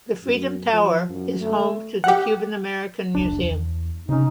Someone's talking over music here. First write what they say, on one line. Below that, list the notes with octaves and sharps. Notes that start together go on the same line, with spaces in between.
The Freedom Tower is home to the Cuban American Museum.
F#2
F3
F#2
A3
G4 F#5
E1 C2 D4
E2
C3 C#4 D#4